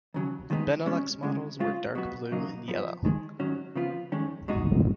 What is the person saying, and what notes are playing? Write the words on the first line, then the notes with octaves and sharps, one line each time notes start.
The Benelux models were dark blue and yellow.
D#2 C#3 F#3
D#2 D#3 G#3 B3 D#4
B2 G#3 C#4
C#2 C#3 G#3
C#3 G#3 C#4 F4
B2 F#3 B3 F#4
F#2 C#3 F#3 A#3 D#4
F#2 F3 B3
D#2 D#3 G#3
G#2 D#3 F#3 C#4 F#4
C#3 F3 B3 F4
F2 D#3 G#3 C#4
B2 G#3 D#4 F#4